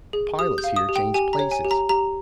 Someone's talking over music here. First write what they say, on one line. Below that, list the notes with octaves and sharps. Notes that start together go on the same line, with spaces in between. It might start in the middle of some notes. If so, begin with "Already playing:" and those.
The pilots here changed places.
G#4
G4 D#6
G6
F5
D#6
G4
G5
G4 G#5
A#5
C#5
G#5
G4
A#5
G4 A#5